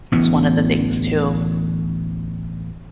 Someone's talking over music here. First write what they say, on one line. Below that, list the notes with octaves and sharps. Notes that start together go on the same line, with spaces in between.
is one of the things too.
A1 D2 E3 B3